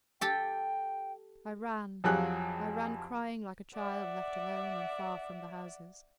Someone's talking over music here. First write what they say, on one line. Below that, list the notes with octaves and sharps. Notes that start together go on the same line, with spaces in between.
I ran--I ran crying like a child left alone and far from the houses.
G4 A4 G5
F2 F3 F#3 G4 G#4 F#6
D5 E5 F#5